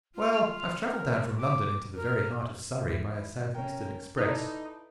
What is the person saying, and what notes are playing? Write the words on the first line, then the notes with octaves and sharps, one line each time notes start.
"Well, I've travelled down from London into the very heart of Surrey by a South Eastern express."
F4
A#4
D6
A#4
G#2 D#3 E4
C#4 A#4 G5
D#4 E4 A4 B4 D5